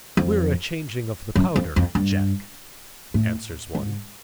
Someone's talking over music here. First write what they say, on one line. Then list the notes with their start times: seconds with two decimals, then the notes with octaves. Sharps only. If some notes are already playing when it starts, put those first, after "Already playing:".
"We're a-changing of the powder, Jack," answers one.
0.17 F2
1.35 F#2
1.56 F2
1.76 F2
1.95 G2
3.14 A2
3.75 G#2